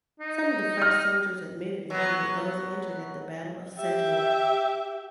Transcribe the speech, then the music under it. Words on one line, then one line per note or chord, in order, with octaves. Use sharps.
Some of the first soldiers admitted included those injured at the Battle of Sedgemoor.
D#4
F6
F#3 B3
G4 E5